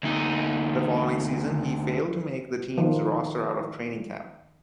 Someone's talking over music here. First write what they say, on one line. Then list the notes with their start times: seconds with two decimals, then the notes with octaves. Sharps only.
The following season, he failed to make the team's roster out of training camp.
0.03 D2 D#4
2.78 D#3 F3